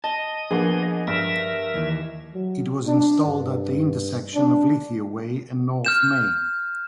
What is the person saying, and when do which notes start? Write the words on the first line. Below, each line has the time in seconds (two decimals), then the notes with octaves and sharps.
It was installed at the intersection of Lithia Way and North Main.
0.04 D#5 A5
0.51 F3 A#3 B3 D4 G#4
1.07 G2 A#4 E5
1.74 D#2 E3
2.33 F#3
2.87 D4
3.27 G2
4.34 D4
5.85 F6 G6 E7